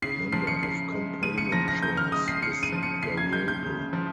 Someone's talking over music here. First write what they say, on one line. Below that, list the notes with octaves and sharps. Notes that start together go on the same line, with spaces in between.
Number of component shares is variable.
C#3 C7
F3 C7
C#7
C#3 C7
G#3
C#3 D#7
C#7
F3 A#6
A#6
C#3 G6
F6
G#3 D#6
C7
C#3 C#7
D#7
F3
C#7
C#3 C7
G#6
G#3 G6
G6
C#3
F3